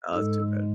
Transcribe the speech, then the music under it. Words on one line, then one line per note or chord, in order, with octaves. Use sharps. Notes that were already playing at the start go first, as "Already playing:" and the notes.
Oh, that's too bad.
G#2 G#3 A4